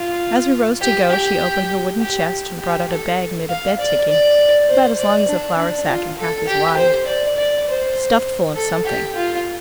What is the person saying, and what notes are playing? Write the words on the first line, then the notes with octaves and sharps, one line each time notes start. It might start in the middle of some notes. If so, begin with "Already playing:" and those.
As we rose to go, she opened her wooden chest and brought out a bag made of bed-ticking, about as long as a flour sack and half as wide, stuffed full of something.
Already playing: F4
G4
G4
G4
G4
A4
F5
D5
D5
C5
D5
D4
D4
F4
A4
G4
C5
D5
D5
C5
A4
G4
F4